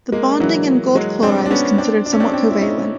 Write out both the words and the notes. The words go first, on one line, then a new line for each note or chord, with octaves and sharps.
The bonding in AuCl is considered somewhat covalent.
G#3 A#3
E3 F#3
F#3 G#3
C4 D4
D4
B3 C#4
C4 D4
D4
C#4
C4 D4
C4 D4
E4
C#4 D#4